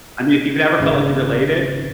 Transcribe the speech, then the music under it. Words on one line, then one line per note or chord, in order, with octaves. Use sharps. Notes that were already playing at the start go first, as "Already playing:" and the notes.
I mean, if you've never felt like you related
G#1 C#3